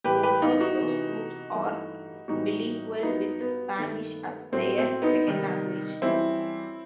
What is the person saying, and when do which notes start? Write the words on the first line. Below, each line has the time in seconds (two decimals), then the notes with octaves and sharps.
Both of those groups are bilingual with Spanish as their second language.
0.04 A2 E3 G3 G4 B4
0.23 G4 B4
0.42 B3 D#4
0.60 D#4 F#4
0.79 C3 E3 B3
1.54 G2 E3 A3
2.28 A2 E3 G3 B3 D#4 F#4
2.99 E4
3.03 G2 F#3 B3 D#4
3.41 B3
3.78 G2 D#3 A3
4.52 A2 F#3 A3 C4
4.78 C4
5.02 B3 D#4
5.27 C3 D#3 G3 B3
6.02 F#2 E3 G3 C4 E4